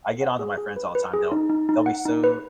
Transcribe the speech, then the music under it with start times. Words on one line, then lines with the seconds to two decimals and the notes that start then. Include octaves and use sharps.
I get onto my friends all the time, they'll they'll be so
0.21 F#5
0.39 G#4
0.58 G#4
0.76 B4
0.95 B4
1.13 G#4
1.32 D#4
1.50 D#4
1.69 D#4
1.86 F#5
2.05 D#4
2.24 B4